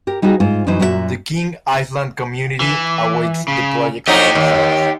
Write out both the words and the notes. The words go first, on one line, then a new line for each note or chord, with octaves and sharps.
The King Island Community awaits the project's results.
G4 A#4
G3 D#4 F4 F#4 G#4
G#2 F4 C5 G#5
F#2 E3 F#3 D#4 C5
F#2 A#2 F#4 G4 E5
E3
C#3
F2 F#3 D#4 G4 D#5
D#2